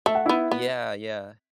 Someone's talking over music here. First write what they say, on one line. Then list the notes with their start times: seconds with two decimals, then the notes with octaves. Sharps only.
Yeah, yeah.
0.06 A3 E5
0.15 F#5
0.25 B3 E4 E5
0.51 B3